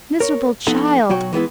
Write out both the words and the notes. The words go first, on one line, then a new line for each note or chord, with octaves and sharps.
Miserable child!
A#4 C#5
F3 B3 D#4 A4 F#5 B5
B1 F#3 F#4 G5
E3 G#3 B3 E4